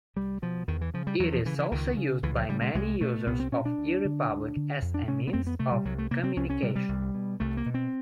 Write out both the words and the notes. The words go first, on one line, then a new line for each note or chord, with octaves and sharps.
It is also used by many users of eRepublik as a means of communication.
C2 G3
B2 F3
E2 D#3
E3
C#3 F3
G3
E2 F#3
F3
C#3 E3
E3
C#2 D#3
C#3
C#2 E3
F3
C#3 G3
G#3
C2 G#3
B2 A3
C2 B3
C4
B2 C#4
D4
D2
D3
D2
D3
F2
D4
C3 C#4
B3
F2 C4
B3
C3 A3
G3
C2 F#3
A3
C3 A#3
C4
C2 C#4
C#4
C3 G3
G3
C2
B2
C2 A3
A#3
B2
C4